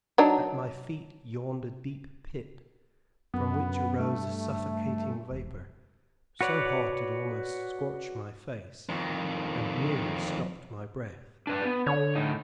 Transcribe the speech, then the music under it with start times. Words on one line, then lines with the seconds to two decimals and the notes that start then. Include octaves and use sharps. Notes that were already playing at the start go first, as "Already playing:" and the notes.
At my feet yawned a deep pit, from which, arose a suffocating vapor, so hot, it almost scorched my face and nearly stopped my breath.
0.18 F#3 D4 D#4
3.34 F#2 B3
3.99 G2 A3
5.31 E1
6.41 F#4 B4 C#5 D5 F#5
8.89 F2 D#3
11.47 D4 B4 D5
11.64 B3
11.87 D3 C#5
12.15 A2 D#4